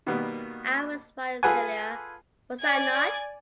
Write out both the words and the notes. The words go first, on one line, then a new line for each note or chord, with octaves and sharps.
I was right, Celia, was I not?
B2 D#3 G3 A#3 B3
F4 G#4 A4 B4 F#5 G#5
D5 G#5 G#6